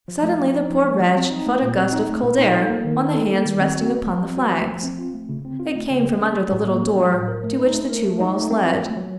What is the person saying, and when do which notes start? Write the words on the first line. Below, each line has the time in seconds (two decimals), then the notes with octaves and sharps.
Suddenly the poor wretch felt a gust of cold air on the hands resting upon the flags; it came from under the little door to which the two walls led.
0.08 F3
0.23 A3
0.39 F3
0.54 D#4
0.70 F3
0.84 A3
1.00 F3
1.16 C4
1.30 D#4
1.47 A3
1.62 A#2
1.77 C4
1.92 D#4
2.07 A3
2.22 A#2
2.38 D#4
2.53 A4
2.69 A#3
2.84 D#3
2.99 D#4
3.14 A4
3.30 A#3
3.46 D#3
3.60 C4
3.76 F#4
3.91 A3
4.06 F3
4.22 C4
4.37 F#4
4.53 A3
4.68 F3
4.83 C4
4.99 F4
5.14 A3
5.29 C#3
5.45 C4
5.59 F4
5.75 A3
5.90 C#3
6.06 A#3
6.21 C#4
6.36 F#3
6.52 A2
6.67 A#3
6.83 C#4
6.97 F#3
7.13 A2
7.28 A#4
7.43 A3
7.59 D#4
7.74 A3
7.89 A#4
8.05 A3
8.20 D#4
8.36 A3
8.51 C4
8.66 F4
8.81 A3
8.97 F#3